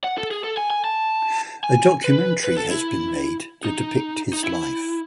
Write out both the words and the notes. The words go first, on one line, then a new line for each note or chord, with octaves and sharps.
A documentary has been made to depict his life.
F#5
A4
G#4
A4
G#5
G#5
A5
G#5
B4
B4
A4
E4
D#4
D#4
E4